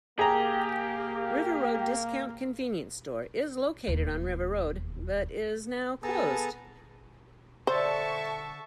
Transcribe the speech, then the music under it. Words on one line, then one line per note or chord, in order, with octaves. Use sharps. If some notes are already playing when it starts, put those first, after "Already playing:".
River Road Discount Convenience store is located on River Road but is now closed.
A#3 G4 G#4 A#5
E1 D#2
B3 G#4 A4 A5 A#5
D3 A4 C5 E5 A5 C#6